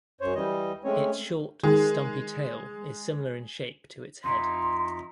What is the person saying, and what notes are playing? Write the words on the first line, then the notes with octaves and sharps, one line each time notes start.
Its short, stumpy tail is similar in shape to its head.
F#2 C5 C#5
E3 G3 D#5
G#3 A3 C4 C#4 C#5
D#3 G#3 G#4
F2 D#4 E4 C6